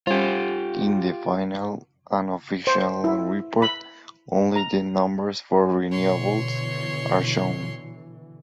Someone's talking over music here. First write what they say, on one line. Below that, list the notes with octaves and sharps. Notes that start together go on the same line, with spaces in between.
In the final and official report only the numbers for renewables are shown.
G3 C#4 F4 G4
C5
E4
B5
A#5
B2 D3 E3 C#5 C6